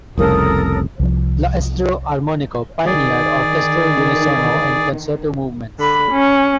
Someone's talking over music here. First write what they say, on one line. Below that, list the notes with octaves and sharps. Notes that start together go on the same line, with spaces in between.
"L'estro armonico" pioneered orchestral unisono in concerto movements.
F1 C2 C#3 A4 A#4 D#6
C2 F3
D#3 G#4 D5
D3 B5
C#4